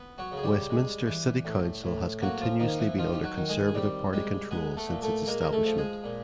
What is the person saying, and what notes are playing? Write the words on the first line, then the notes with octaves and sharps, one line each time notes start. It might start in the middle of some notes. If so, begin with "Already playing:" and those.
Westminster City Council has continuously been under Conservative Party control since its establishment.
Already playing: B3
F#3 F#4
C#3
G#4
G3 G4
G#3
E3
A2
A2
F#3 A#3 F#4
F3 F4
D#3 F3 D#4
E3 E4
D#3 F3 F4
G4
F#3 F#4
D#3
G#3 G#4
G#4
G3 C4 G4
G3 G#3 G4
G#3 B3 G#4
A3 A4
A#2
A3 A4
G#3 A#3 A#4
A#4
A3 A4
F3
G#3 G#4
A#2